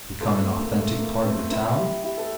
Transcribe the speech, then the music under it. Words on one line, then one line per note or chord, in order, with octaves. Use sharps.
Become an authentic part of the town?
F4 A4
A3 C4
A#3
A3
A#3
A3 C4
C4 E4
E4 G4
E4 G4
A4